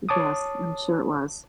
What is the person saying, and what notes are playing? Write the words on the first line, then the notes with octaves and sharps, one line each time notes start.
Yes, I'm sure it was.
C#5 A5 D6 D#6